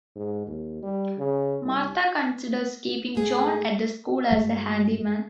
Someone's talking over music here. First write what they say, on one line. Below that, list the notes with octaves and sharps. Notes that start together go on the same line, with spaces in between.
Martha considers keeping John at the school as a handyman.
G#2
D#2
G3
C#3
C2
G#2 A3 G#4
G2 F#3 G#3 A3